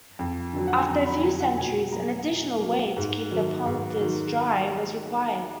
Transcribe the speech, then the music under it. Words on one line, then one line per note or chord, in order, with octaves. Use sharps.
After a few centuries, an additional way to keep the polders dry was required.
F2
D3 F#3
F#5
G#5
F2 A#5
B5
D3 F#3 A#5
F#5
B2 G#5
F#3 A#3 A#5
B2
F#3 A#3
G#2
D#3 F#3
G#2
D#3 F#3